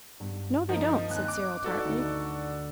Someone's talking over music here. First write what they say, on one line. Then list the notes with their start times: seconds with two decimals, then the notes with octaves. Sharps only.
No, they don't,' said Cyril tartly.
0.20 G2 B3
0.69 F3 D#4 F4 A#4 D#5
1.10 D#2 C4 G#5 F#6
1.28 D6
1.64 D#4 F#4 A4 B4 D5
1.85 D2